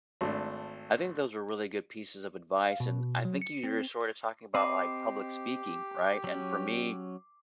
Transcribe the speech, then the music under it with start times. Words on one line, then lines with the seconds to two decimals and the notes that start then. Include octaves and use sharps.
I think those are really good pieces of advice, and I think you're sort of talking about, like, public speaking right? And for me
0.21 G#1 A3 D4
2.66 F5
2.80 B2
3.25 F#3
3.42 C#7
3.64 C4
4.54 C4 G4 D#5 B5 D6 C7
6.24 F#3 C#4